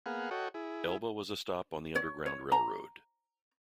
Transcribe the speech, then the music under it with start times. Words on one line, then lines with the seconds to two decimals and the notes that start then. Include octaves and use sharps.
Elba was a stop on the Underground Railroad.
0.06 A#3 B3 G#4 F5 F#5
0.31 F#4 A4 C#5 D#5 F#5 G5
0.54 E4 G#4
1.95 C#5
2.26 C#5
2.52 A#5